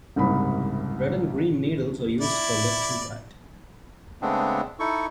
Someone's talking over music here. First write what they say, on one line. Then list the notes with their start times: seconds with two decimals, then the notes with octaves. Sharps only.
Red and green needles are used for left and right.
0.16 F#1 C2 G#2 G3 B5
2.21 E4 D5
4.22 C#3 G#3 A3 B3 C4 D4
4.79 D#4 E4 A4 C#6